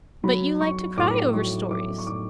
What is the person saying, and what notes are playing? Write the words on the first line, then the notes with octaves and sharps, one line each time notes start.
"But you like to cry over stories?"
F#3 B5
F#3 C#6
A2 D6
F#3 C#6
F#3 D6
C#6
A2 D6